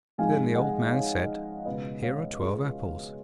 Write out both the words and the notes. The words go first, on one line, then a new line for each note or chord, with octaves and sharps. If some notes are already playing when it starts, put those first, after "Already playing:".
Then the old man said, 'Here are twelve apples.
G#2 F3 G#3 F5 G#5
D#5 F#5
C#5 F5
C#2 B2 G#3 B4 D#5
C#5 F5
F4 G#4